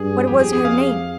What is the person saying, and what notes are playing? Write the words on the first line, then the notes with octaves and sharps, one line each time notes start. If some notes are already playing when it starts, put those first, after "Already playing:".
What was her name?'
Already playing: G2 G#4
F2 G4
G#4
G#4
F5